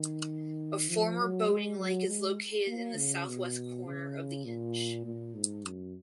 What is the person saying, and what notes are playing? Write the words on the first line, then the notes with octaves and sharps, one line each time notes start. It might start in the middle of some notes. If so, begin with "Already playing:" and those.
A former boating lake is located in the southwest corner of the inch.
Already playing: D#3
F3
F#3
G#3
F#3
G#3
A#3
C#3
B2
C#3
A#2
A#2
G#2
F#2